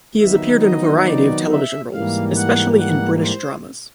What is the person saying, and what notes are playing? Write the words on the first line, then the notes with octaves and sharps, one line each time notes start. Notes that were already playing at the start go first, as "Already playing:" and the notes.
He has appeared in a variety of television roles, especially in British dramas.
D#3 F#3 B3 D#4 E5
D#5
D5
E5
G#2 E3 G3 A#3 F5
F#5
F#5
C5